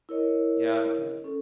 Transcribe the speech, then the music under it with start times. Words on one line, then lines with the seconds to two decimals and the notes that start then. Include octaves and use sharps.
Yeah, because
0.09 E4 A#4 C#5 D#5
1.24 C#4 A4